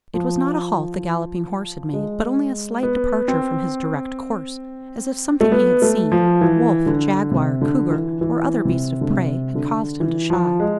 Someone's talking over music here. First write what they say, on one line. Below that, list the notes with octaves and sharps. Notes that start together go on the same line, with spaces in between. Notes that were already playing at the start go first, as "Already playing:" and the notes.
It was not a halt the galloping horse had made, but only a slight departure from his direct course; as if something he had seen--wolf, jaguar, cougar, or other beast of prey--had caused him to shy.
F3
G#3
B3
C4
A3
B3
A3
F3
E3
D3
C3
D3
E3
E3
C3
D3
C3
D3
E3
F3
G#3